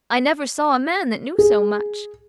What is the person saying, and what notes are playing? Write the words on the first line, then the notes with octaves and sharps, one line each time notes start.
"I never saw a man that knew so much!"
G#4